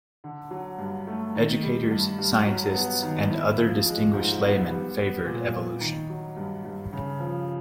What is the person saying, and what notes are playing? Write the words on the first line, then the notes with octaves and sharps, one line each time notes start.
Educators, scientists, and other distinguished laymen favored evolution.
D3
F#3
G2
A3
D#3
G3
G2
G2
F#3
B3
D#3
E4
F3
G#3
G#2
B3
G3
B3
A#2
A#2
D#3
F#3
G2
G2
C#3
F3